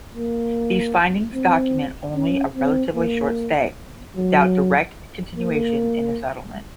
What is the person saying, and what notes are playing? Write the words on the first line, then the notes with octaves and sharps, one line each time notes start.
These findings document only a relatively short stay, without direct continuation in the settlement.
A#3
C4
C#4
C4
A#3
F#3
A#3